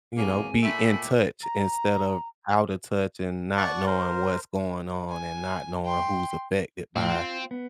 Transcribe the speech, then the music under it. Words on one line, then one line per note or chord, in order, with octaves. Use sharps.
you know, be in touch, instead of out of touch and not knowing what's going on and not knowing who's affected by
E2 F#3 G#3 A#3 C4 G#4 G#5
A#2 A3 G5 B5 D6
A#5
D5 F#5 A5 C#6
A#4 C5
G#5
G5 C6
A2 F3 C4
F4
B3